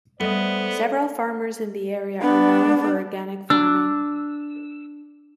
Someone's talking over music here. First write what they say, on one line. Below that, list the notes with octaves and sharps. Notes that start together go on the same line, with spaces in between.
Several farmers in the area are known for organic farming.
G3 A3 B3 C5 D5 D#5
B3 D4
D4 E6